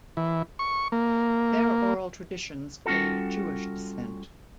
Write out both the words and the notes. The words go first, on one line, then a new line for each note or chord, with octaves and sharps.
Their oral traditions claim Jewish descent.
E3
C#6
A#3
G3 C#4 F4 F#4 A4